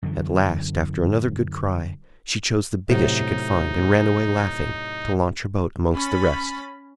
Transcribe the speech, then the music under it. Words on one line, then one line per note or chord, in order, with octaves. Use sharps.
At last, after another good cry, she chose the biggest she could find, and ran away laughing, to launch her boat amongst the rest.
F#2 D3 E3
A2 C3 F#3 D#4
C#4 B5 A6